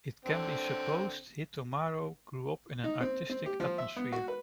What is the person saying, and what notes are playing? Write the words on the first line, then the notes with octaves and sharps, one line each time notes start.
It can be supposed Hitomaro grew up in an artistic atmosphere.
D3 C4
D#4
C4
C4
G4
F3
E5
B3
F#4
B4